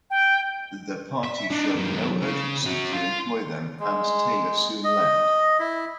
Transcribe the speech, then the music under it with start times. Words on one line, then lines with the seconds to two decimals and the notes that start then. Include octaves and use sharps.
The Party showed no urgency to employ them, and Taylor soon left.
0.10 G5
1.24 E5
1.51 D4 D#4
1.76 F#2 D#3
2.22 C#3
2.65 C#4 F#4
2.93 F4
3.80 G#3
4.84 D#5
5.59 E4